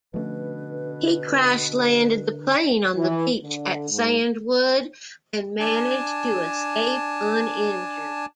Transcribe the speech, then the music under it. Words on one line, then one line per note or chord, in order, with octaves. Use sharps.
He crash-landed the plane on the beach at Sandwood, and managed to escape uninjured.
B2 D3 F3 A3 C#4 B4
E3
D3
G#2
D4 G#5 A5